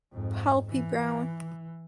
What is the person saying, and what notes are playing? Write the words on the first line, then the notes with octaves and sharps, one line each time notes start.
Palpi brown.
F2 G#2
E3